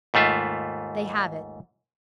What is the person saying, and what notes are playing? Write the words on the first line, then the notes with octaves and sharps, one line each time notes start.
They have it.
D#2 G#2 A3 F4 E5